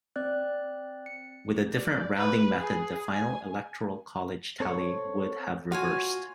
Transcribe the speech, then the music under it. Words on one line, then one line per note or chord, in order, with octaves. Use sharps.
With a different rounding method the final electoral college tally would have reversed.
C4 D5 F#6
C#7
D5
B4
G#4
G#5
C4 A4 C#5
F4 F#4 C#5 G#5